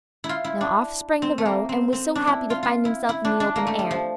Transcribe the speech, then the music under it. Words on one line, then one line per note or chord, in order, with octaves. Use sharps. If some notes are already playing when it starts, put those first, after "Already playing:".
Now off sprang the roe, and was so happy to find himself in the open air.
E4
F4
E4
D4
C4
A3
A#3
C4
C4
D4
E4
F4
F4
E4
E4
D4
D4
A#3
A3
G3
F3